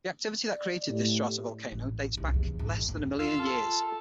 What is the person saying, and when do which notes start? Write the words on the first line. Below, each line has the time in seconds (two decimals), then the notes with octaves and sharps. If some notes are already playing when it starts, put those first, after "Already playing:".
The activity that created this stratovolcano dates back less than a million years.
0.49 D5
0.88 A2 G4
1.72 A1
2.17 C2
2.34 E2
2.59 G#1
2.88 D#2
3.19 F4 F5 E6
3.40 A4